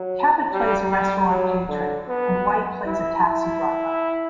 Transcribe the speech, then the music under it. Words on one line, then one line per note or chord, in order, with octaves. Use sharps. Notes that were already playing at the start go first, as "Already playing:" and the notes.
Cabot plays a restaurant patron and White plays a taxi driver.
Already playing: F#3
G3
G3
F#3
D3
B3
E4
E4